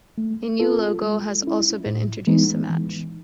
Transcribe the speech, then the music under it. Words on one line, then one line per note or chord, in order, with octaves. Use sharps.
A new logo has also been introduced to match.
A3
C4 F4 A4
G#3
C#4 E4
A2
E3 G#3 B3 D#4
E3